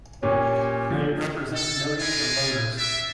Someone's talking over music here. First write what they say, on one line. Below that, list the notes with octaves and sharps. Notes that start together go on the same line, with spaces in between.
They represent millions of voters!
A#2 C#4 G4 C#5
F3
A4
D4 F4 A#4 B4 G#5
D4 E5